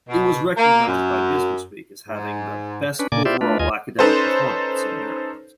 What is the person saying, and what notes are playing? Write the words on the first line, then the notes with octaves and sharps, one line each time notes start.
It was recognized by BusinessWeek as having the "Best Overall Academic Performance" in Maryland.
B2
A#3
F#2
G#2
C#4 D4 B4
A#2 C#3 A#3 D5 G#5 D6
E4 F4 G4 C5 D5 E5
A3 D4 F4 B4
D#2 F4 D#5 G#5
C#4 D#4 A4 B4 C5